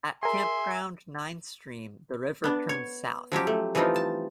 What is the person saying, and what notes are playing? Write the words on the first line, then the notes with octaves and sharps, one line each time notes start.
At "Campground Nine Stream" the river turns south.
G#4 A#4 E5 G#5 C6
B3 D4
C#5
F3 F#3 C#4 G4
A3
E3 F3 G3 C4 D#4 F4
A5